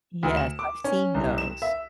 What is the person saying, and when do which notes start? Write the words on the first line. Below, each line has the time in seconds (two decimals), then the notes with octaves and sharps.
Yes, I've seen those.
0.23 D2
0.37 E7
0.59 D6
0.84 C#4
1.14 C2
1.38 E7
1.62 E5